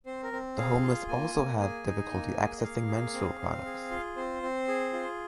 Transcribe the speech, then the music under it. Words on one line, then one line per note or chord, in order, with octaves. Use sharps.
The homeless also have difficulty accessing menstrual products.
C4 C5
A#4
C4
G#4 F5
F4
A#3 G#5
A#3
G#4 G#5
D#4
A#3
G#4
D#5
A#3 F5
G#4
C4
C4
G#4
F4
C4 C5
C4
G#4
F4